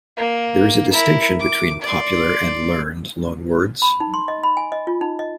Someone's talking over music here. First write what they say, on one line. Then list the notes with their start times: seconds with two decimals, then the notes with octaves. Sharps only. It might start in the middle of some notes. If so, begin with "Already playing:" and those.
There is a distinction between "popular" and "learned" loanwords.
0.17 A#3
0.92 E4 A#4
1.39 D6
1.82 D5 C6
3.82 B5
4.00 D#4
4.14 C6
4.28 D#5
4.43 B5
4.57 G#5
4.72 D#5
4.87 F4
5.01 D#4
5.19 D#5